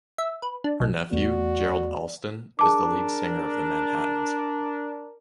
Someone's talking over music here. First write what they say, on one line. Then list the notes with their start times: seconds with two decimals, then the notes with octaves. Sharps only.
Her nephew, Gerald Alston is the lead singer of The Manhattans.
0.18 E5
0.42 B4
0.64 D4
0.80 B1
1.11 E2 A3 B3 F#4 D5
2.59 D4 G#4 A#4 A5 D6